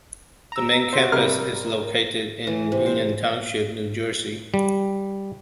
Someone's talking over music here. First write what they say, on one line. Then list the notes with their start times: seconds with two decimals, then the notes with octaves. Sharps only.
The main campus is located in Union Township, New Jersey.
0.52 A#5 E6
0.93 F#4 C5
1.12 C3 G3 A#4 F6
2.47 E3
2.72 C3
2.86 C5
4.54 G3